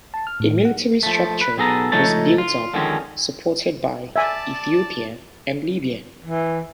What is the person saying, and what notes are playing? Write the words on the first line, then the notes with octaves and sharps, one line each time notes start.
A military structure was built up, supported by Ethiopia and Libya.
A5
F6
A2
F#5
F3 A3
B4
B1 B3 G#4 A4 A#5
C#2 F3 A3 D#4 C#5 A5
F4
D3 D#3 F3 G#3 C4 C#4
D5 E5 G#5 A5
E3